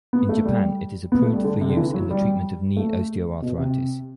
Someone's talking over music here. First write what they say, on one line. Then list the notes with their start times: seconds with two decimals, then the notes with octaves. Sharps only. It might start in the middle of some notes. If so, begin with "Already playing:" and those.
In Japan it is approved for use in the treatment of knee osteoarthritis.
0.13 B3
0.29 A3
0.45 G3
1.12 B3
1.22 A3
1.33 G3
1.44 D3
1.61 C3
1.70 D3
1.77 E3
1.94 F#3
2.10 G3
2.77 A3
3.42 B2
3.58 C3